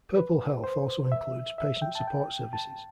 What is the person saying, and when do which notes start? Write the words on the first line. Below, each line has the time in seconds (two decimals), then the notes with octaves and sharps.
Purple Health also includes patient support services.
0.17 B4
0.64 C5
1.12 E5
1.58 E5
1.82 G5
1.95 A5
2.08 G5
2.53 A5